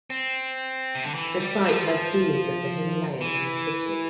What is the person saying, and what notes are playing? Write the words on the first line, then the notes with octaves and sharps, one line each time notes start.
The site has views of the Himalayas and the city.
C4
C3
D3
E3
G3
F3
E3